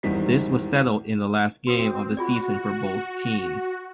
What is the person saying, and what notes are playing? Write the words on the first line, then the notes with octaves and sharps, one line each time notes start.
This was settled in the last game of the season for both teams.
G#1 E2 G3 D#4 B6
C4 F#4 B4 D#6
F4 F#4 G#4 D5